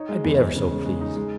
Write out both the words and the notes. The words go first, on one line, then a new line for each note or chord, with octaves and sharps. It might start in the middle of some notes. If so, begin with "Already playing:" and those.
I'd be ever so pleased.
Already playing: D#4 C#5
G#3
E2
E2
C#3
G#3
G#3
D#4
G#3